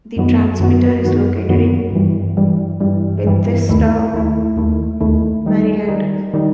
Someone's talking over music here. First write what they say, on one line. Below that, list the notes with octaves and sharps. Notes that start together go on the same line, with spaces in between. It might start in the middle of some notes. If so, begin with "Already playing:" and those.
The transmitter is located in Bethesda, Maryland.
F#2 D#3 F#3 B3 F#4
F#2 D#3 F#3 B3 F#4
F#2 D#3 F#3 B3 F#4
F#2 D#3 F#3 B3 F#4
G2 E3 G3
G2 E3 G3
G2 E3 G3
G2 E3 G3
D#2 D#3 A3 E4
D#2 D#3 A3 E4
D#2 D#3 A3 E4
D#2 D#3 A3 E4
D#3 G3 D#4
D#3 G3 D#4
D#3 G3 D#4